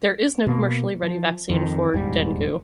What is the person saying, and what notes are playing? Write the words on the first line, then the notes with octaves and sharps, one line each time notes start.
There is no commercially ready vaccine for dengue.
B2 A#3
F3
F2 D#3
D#1 E2 G#2 G3